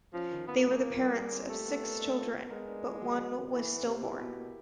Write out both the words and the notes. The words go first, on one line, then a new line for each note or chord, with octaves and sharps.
They were the parents of six children, but one was stillborn.
F3 C#4
D#3
B3 F4
A#3
G#3 B3
A#3
F4
G3
G#4
C4
A3 G4
B3
A#4
D4
F4
B3
G#3 A#4
D4
D4
F#3
F#3
A#3
E3 A4
B3
C3 C5
E4
B2 G4
A#3